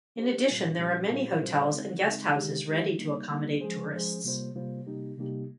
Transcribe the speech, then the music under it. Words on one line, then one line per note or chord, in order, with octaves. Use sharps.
In addition, there are many hotels and guest houses ready to accommodate tourists.
A#3 C#4 G4 C5
A#2 G3 C#4 F4
A#2 G3 C#4 F4
A#2 G3 C#4 F4 C5
A#2 G3 C#4 F4 C5
C#3 G#3 C4 D#4
C#3 G#3 C4 D#4
D#3 G#3 D#4 G4
D#3 G#3 D#4 G4
G3 A#3 D#4
G3 A#3 D#4
F3 G#3 C#4 G#4 C5
F3 G#3 C#4 G#4 C5
C3 G3 A#3 F4 C5
C3 G3 A#3 F4 C5
C3 G3 A#3 D#4 G4
C3 G3 A#3 D#4 G4